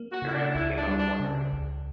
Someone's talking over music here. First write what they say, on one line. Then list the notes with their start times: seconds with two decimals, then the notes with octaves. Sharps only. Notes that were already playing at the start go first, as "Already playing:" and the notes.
Miriam came out wondering.
Already playing: A#3
0.11 F#4
0.22 C#3 E4
0.34 D4
0.55 C#2 E4
0.77 D4
0.87 G3
0.98 D4
1.20 C#3
1.53 C#2